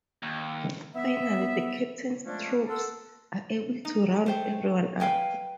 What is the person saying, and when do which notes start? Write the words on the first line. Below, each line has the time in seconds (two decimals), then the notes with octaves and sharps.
Finally, the Captain's troops are able to round everyone up.
0.23 D#2
0.95 B3 E5
2.25 F3 G#3 A3 C#4 D4
2.68 A4 A#4 F#5 A5 C6 E6
3.85 D#4
4.26 A3 C5 G5
5.00 B4 F5 G5 G#5